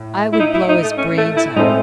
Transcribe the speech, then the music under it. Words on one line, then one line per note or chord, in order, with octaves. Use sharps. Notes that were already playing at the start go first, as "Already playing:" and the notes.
'I would blow his brains out.'
Already playing: A2
E4
D#4
E4
D#4
A3
C#4
A3
E4
A2 G#3 C4 D#4 E4 A4